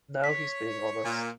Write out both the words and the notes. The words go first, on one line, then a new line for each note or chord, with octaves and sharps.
Now he's being honest.
C#5 B6
A#2